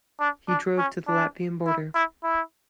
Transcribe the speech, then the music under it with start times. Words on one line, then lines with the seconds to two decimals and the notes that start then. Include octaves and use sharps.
He drove to the Latvian border.
0.20 D4
0.49 D4
0.78 C#4
1.07 D4
1.66 E4
1.95 E4
2.23 E4